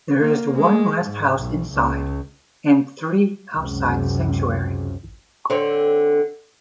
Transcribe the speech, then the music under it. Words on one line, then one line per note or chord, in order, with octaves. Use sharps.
There is one rest house inside, and three outside the sanctuary.
A#3
G#3
G#2
B1
C#2
C#2 F#2 C3
D3 C4 C#5